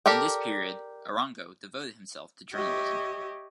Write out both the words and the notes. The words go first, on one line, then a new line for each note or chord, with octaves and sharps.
In this period, Arango devoted himself to journalism.
G4 A4 A#4 D5 G5
G4 C#5 D#5 E5